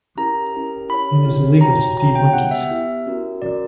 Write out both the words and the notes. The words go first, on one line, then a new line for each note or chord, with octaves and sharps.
It is illegal to feed monkeys.
C#4 E4 G4 A#4 A#5
C#4 E4 G4 A#4
E4 G4 C#5 B5
E4 G4 C#5
F#4 C#5 G5 A#5
F#4 C#5 G5 A#5
G5
B3 E4 G4 F#5
E5
B3 E4 G4
C#4 F#4 A#4
C#4 F#4 A#4 D5